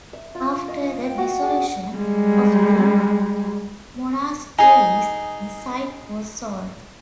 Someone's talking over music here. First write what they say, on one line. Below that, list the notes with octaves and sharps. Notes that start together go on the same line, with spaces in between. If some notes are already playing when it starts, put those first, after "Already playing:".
After the Dissolution of the Monasteries the site was sold.
E5
F4
D#5
G5
F#4
G#4
G3 G#3
D#4 G#4 G#5